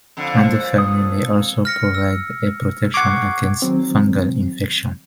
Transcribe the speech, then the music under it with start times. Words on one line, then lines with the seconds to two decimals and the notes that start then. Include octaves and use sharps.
Endothermy may also provide a protection against fungal infection.
0.17 F2 D3
0.78 D#6
1.65 F6 A#6 C#7
1.95 E6
2.94 F#5 C#6 D6 G#6 C7
3.62 D#3 F#3 C4